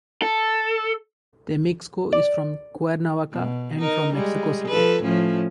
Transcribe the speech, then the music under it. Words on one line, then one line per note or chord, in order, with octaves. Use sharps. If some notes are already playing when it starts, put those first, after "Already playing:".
Temixco is from Cuernavaca and from Mexico City.
A4
D5
B2
D#4 A#4
G3 G#3
F3 A4 B4
A2 F3 C#4